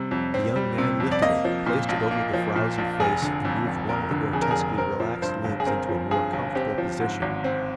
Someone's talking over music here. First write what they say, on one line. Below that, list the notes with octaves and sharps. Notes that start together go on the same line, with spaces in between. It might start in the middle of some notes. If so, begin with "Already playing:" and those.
The young man lifted it, placed it over the frowsy face and moved one of the grotesquely relaxed limbs into a more comfortable position.
Already playing: C3 G3
F2
C4
G3
C3
F2
D5
A#3 D#5
F3
A#2
A#1
A#3
F3
A#2
A#1
F1 G#4
D3
F2
F1
F1 A#4
D3
F2 G#4
A#4
F1 G#4
C4 A#4
F3
G2 C5
G1
G#4
C4 A#4
F3
G2 G#4
G1
C4 G4
F3
G#2
G#1
C4